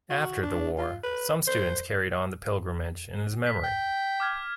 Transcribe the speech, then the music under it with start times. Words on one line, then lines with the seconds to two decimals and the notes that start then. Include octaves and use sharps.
After the war, some students carried on the pilgrimage in his memory.
0.10 F#4
0.43 D4
0.78 F4
1.04 B4
1.47 C5
3.46 B6
3.64 G5
4.20 D6 F6 G#6